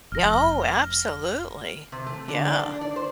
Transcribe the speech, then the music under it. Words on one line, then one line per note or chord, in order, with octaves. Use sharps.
Yeah, oh, absolutely. Yeah.
F1 F6 A#6
C3
A3
D3
D5
D4
D5
C5